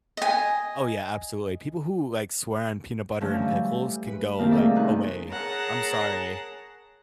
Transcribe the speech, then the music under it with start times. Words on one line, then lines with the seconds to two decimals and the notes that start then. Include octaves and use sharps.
Oh, yeah. Absolutely. People who, like, swear on peanut butter and pickles can go, like, away. I'm sorry.
0.17 D#5 G#5
3.20 D3 F3 F#3 A3 C#4
3.38 E3 G3
4.08 B4
4.39 F2 C3 D#3 A#3 F4
4.51 G3 A3 G#4 A#4 D5 E5
4.75 E2 G3 C#4 D#4 F#6
5.29 G#4 A#4 C#5 F#5 A5 A#5